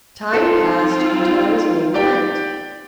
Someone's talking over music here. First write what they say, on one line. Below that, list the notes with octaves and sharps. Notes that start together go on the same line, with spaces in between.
Time passed until I was made a knight.
C4 D#4 F4 A4
G4 D5 G5